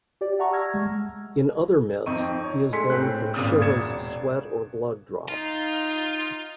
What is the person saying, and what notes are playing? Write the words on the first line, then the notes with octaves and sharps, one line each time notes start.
In other myths, he is born from Shiva's sweat or blood drop.
G4 D5
E5 F#5 A5 A#5 C#6
C#6 E6 F6 G#6 A#6
G#3
F2 C4 D#4 C#6 D#7
C#5
G#3 A3 G#5 C6 B6 C#7
A2 C4 F#6
G#1 A#2 C#3 D5 D#6
E1 D5 G#6 C#7 E7
D#4 F4